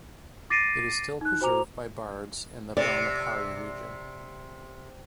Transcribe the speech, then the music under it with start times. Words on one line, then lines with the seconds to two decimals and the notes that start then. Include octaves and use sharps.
It is still preserved by bards in the Banaphari region.
0.50 D6 A6 A#6 C7 D7 D#7
1.21 D#4 F#6
1.41 F#4 C5 G#5 A#5 D6 F7
2.77 C3 D5